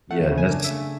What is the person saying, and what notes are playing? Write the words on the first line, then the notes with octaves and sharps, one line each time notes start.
Yeah, that's
A3 F#5
C#3
G#5
D4
E5
A3